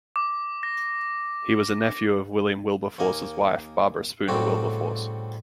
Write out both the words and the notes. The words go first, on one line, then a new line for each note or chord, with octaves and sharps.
He was a nephew of William Wilberforce's wife, Barbara Spooner Wilberforce.
D6
A#6
D#2 A#3 D#5 G#5
A2 C#3 G3 A3 C4 F#4